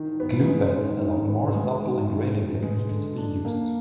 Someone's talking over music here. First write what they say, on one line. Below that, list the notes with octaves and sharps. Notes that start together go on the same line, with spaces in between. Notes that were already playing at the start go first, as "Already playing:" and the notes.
Glue-bats allowed more subtle engraving techniques to be used.
Already playing: D#3
B3
G#3
D#3
D#3
B3
G#3
D#3
D#3
B3
G#3
D3
D4
A#3